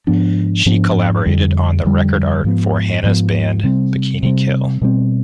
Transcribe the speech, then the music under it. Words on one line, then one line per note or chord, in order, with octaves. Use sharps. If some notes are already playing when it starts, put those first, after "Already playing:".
She collaborated on the record art for Hanna's band, Bikini Kill.
G#2 F3 B3 D4
G#2 F3 B3 D4
F2 D3 G3
F2 D3 G3
G#2 F3 B3
G#2 F3 B3
C3 G3 C4
C3 G3 C4
B2 G3 C4